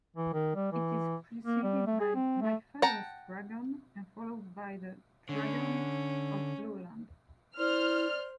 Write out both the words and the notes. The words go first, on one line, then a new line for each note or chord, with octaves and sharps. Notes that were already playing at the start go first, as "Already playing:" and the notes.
It is preceded by "My Father's Dragon" and followed by "The Dragons of Blueland".
E3
D#3
G3
E3
A#3
G3
A3
G#4
C4
A3
F#5 G5 A5 A#5
D3 C#4
E4 C5 D5 F6